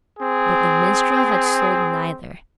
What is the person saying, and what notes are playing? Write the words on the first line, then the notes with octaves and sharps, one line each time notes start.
But the minstrel had sold neither.
C4 G#4